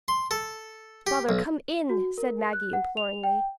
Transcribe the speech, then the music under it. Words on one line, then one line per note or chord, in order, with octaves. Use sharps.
"Father, come in!" said Maggie, imploringly.
C6
A4
G4
B1
F#4
A#4
F#6
F#5
F7
G5